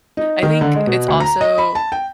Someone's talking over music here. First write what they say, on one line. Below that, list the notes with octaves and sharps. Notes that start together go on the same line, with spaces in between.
I think it's also
D#4
D#3
D3
G#3
B2
D2
A#5
D#5
B5
A5
G5